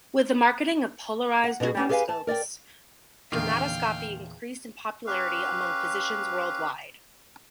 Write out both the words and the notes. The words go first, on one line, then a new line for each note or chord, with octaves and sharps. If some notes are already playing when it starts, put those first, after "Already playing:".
With the marketing of polarised dermatoscopes, dermatoscopy increased in popularity among physicians worldwide.
F#5
B2 B3 D#4 F#4 G#4
B3 C#4 D4
G4 G#4 B4 D5 F5 G#5
A5
A#4 D5 D#5 G5
E2 A#2 D3 D#3 A#3 F4 F5 G5
C#4 G4 B4 F5